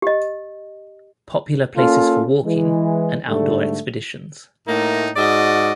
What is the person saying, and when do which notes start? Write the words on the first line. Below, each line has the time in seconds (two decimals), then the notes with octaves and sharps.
Popular places for walking and outdoor expeditions.
0.02 G4 D#5
1.77 A#3 C#4 F4 A4
2.45 E3 G#3
3.28 G#2 D3 G3 A3
4.66 A2 A3 A#3 D#4
5.15 G#2 F#4 D5 D#5